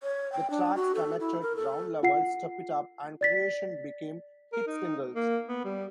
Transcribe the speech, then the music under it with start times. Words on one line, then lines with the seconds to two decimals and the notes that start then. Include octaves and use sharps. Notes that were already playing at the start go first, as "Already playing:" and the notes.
The tracks "Connected", "Ground Level", "Step It Up" and "Creation" became hit singles.
0.03 C#5
0.32 G5
0.50 D4
0.76 F#4
0.95 A4
1.20 E4
1.42 A#4
1.56 A4
2.03 F4 F#5 C7
3.21 D5 A6 B6
4.52 A#4
4.67 D#4
5.15 A#3
5.48 B3
5.64 G3